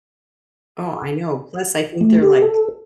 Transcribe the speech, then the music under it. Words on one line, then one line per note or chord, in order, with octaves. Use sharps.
Oh, I know, plus, I think they're, like,
A3
G4
A4